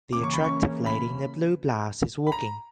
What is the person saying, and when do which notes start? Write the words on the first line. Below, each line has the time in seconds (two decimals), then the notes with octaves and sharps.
The attractive lady in the blue blouse is walking.
0.13 C#3 E3 A#3 C#4 D6
0.23 C#6
0.34 B5
0.44 C#6
0.86 B5
2.27 B5
2.32 A#5